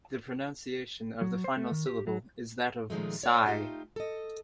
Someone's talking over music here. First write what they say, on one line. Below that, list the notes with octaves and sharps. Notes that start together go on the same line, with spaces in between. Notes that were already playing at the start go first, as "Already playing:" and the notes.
The pronunciation of the final syllable is that of "sigh".
F#3
C5
A3
D#3
G4
F#3
A#2 D#3 F3 G#3 A3
C#5 D5
A3 D#4 F4 G4
A4 D#5